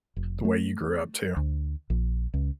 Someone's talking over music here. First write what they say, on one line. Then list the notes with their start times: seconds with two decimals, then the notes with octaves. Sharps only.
the way you grew up too,
0.16 F1
0.45 A3
1.36 D2
1.90 A#1
2.34 C#2